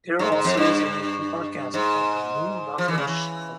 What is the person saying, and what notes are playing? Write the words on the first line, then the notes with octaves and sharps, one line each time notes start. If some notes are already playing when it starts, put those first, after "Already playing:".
There also is a weekly podcast called the Lew Rockwell Show.
G#2
G#2
F2
G2
G#2
F3
E3
C#3
E3